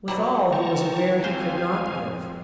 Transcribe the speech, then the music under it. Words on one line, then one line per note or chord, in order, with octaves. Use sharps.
Withal he was aware he could not live.
B2 F#3 G3
G5 A5 A#5 C#6
F2 C5 F5 G#5